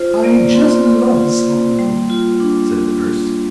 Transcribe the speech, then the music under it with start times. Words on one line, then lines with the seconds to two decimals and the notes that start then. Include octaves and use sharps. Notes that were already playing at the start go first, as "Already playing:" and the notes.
"I just love sour apples," said the nurse.
Already playing: F4 C5
0.23 A#3 D5
0.54 F4 C6
0.85 A#3
1.16 F4
1.47 A#3
1.79 G3
2.10 F4
2.40 D4